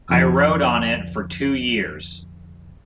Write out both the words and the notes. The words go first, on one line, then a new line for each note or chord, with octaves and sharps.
I wrote on it for two years.
C2 F2 D3 G#6